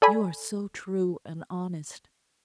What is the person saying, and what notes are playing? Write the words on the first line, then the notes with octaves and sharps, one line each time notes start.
You are so true and honest!
A4 D5 G#5 B5